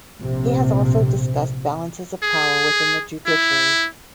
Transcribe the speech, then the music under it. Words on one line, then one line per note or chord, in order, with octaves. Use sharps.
He has also discussed balances of power within the judiciary.
A#1 C3 C4
G#4
E4